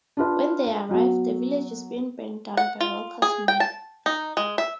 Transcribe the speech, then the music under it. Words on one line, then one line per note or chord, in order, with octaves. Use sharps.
When they arrive, the village is being burned down by Walker's men.
D4 F4 B4
F#3 B3
F#5
F4
G#4
G5
A5
D#4
G#3
E5